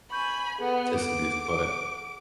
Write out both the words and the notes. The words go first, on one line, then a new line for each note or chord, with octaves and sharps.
Yes, it is, but
G#5 B5 C#6 G6
B3 G#4 A4 F#5
D6